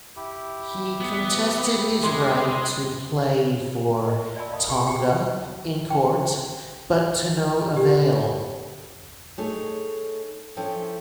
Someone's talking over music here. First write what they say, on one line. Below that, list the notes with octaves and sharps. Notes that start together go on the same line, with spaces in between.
He contested his right to play for Tonga in court, but to no avail.
E4 G4
B3
G#3 C6
A#4 D#5 E5
D5 E5 G#5 A5 B5 E6
D#5 F5 A5 B5 D#6
G4 G#4
F4 G4 G#4 F#5 G5 D6
G5
G4
A3 D#4 G#4 A4 C#5
F3 C#4 E4 A4 G5